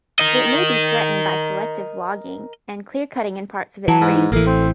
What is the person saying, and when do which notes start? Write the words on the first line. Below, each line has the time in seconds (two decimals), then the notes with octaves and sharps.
It may be threatened by selective logging and clearcutting in parts of its range.
0.19 A#4 D#5
3.88 E3 F#3 A5
4.01 G#2
4.14 D#4
4.32 A1 E3 A#3 A4
4.47 C4